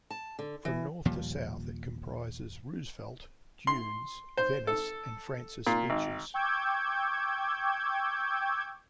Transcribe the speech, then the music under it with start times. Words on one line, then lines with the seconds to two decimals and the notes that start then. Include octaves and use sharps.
From north to south it comprises Roosevelt, Dunes, Venice, and Francis Beaches.
0.10 A5
0.39 D3
0.65 E3
1.05 D#2 A#2 F3 G3
3.67 C6
4.37 C5
4.67 A4
5.67 A#2
5.90 G#1
6.34 G5 C#6 D6 E6 G6 G#6